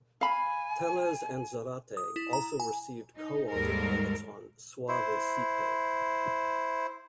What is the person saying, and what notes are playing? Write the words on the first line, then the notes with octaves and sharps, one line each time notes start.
Tellez and Zarate also received co-author credits on "Suavecito".
F5 G#5 B5
D#6
E4
A#5
G#5
D#4
D#2 G#2 G3 G#3 A4 A#4
E4 C5